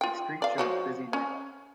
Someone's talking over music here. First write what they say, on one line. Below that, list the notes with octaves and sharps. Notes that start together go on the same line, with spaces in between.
A street shows busy night life.
F4 G5
D5 F5
F3 F#4 C#5
C#4